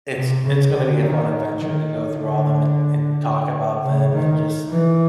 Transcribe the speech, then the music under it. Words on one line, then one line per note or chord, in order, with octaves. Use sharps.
it's it's gonna be a fun adventure to go through all of them and and talk about them and just
C3
C#3
D3
D#3
D#3
D3
C#3
D#3
E3